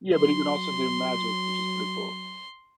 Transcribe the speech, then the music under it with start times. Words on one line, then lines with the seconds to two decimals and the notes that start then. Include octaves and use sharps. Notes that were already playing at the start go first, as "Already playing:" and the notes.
Yeah, but he can also do magic, which is pretty cool.
0.15 F#3 C6